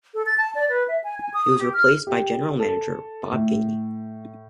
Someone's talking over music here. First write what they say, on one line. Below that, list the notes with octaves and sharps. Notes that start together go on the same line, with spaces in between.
He was replaced by general manager, Bob Gainey.
A4
A6
A5
D5
B4
E5
G#5
G#5
D#6
D#6
G4
F6
G4
A4
A2